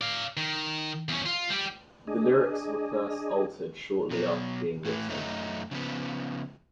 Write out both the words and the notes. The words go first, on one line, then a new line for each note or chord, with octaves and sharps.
The lyrics were first altered shortly after being written.
D5 F5
D#3
E2 C#4
F4
G3 G4
D4 G#4 D#5
B2 F#3
A2 E3
F#2 F#3 A3 D#4
C#3 F3 B3